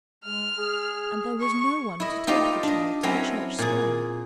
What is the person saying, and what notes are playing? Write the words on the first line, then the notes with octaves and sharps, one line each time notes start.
And there was no one to take the child to the Church Square.
G#3 F6
G#4
C#6
E4 D#5
D#4 F4 G4 C5 D5 D#5
D4 D#5
F#3 C4 C#4 E4 A#5
A#2 G#4